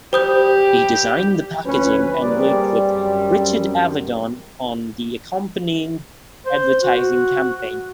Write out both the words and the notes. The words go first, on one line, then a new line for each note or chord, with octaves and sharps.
He designed the packaging and worked with Richard Avedon on the accompanying advertising campaign.
G3 G4 C5 D#6 G6
D2 F3 C#4 B4
G3 A#3 C4 G#4 D5
F#2
C5
F#4